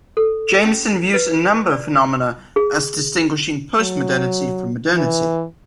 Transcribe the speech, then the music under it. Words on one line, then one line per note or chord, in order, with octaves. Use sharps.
Jameson views a number of phenomena as distinguishing postmodernity from modernity.
A4
C#4
B4
D5
G#4
F#3
E3